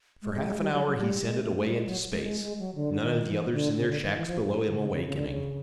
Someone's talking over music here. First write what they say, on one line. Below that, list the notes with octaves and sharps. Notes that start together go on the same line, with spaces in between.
For half an hour he sent it away into space, none of the others in their shacks below him, awakening.
G#3
G#3
G#3
G3
F#3
F#3
G3
G#3
A3
A3
G3
G#3
F#3
G#3
G#3
G#3
F#3
D3
D3
D#3
E3
D3
C#3
D3
D#3
E3
F3
D3
C#3
C#3
C#3
D3
C#3